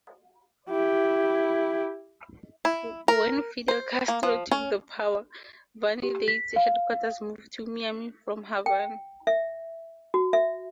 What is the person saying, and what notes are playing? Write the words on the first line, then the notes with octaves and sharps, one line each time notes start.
When Fidel Castro took the power, "Vanidades"' headquarters moved to Miami from Havana.
E4 G4
E4
A#4
C5
A#3
F3
C#4
G4
B6
F5
G5
E5
F#4
E5